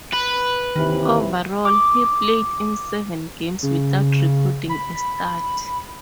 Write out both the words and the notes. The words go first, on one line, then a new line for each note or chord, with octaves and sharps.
Overall, he played in seven games without recording a stat.
B4
D#2 C3 D#3 E3
D6 D#6
C#3
B5